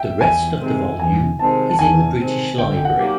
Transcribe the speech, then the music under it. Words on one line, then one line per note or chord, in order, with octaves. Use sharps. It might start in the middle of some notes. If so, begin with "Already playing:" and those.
The rest of the volume is in the British Library.
Already playing: E5 G5
E2 G#5
C3 D#3 G#3 C4
E2 G#5
C3 D#3 G#3 C4 A5
A5
E2 G#5
C3 D#3 G#3 C4
D3 G5
G5
F#5
F#3 A#3 D#4 G4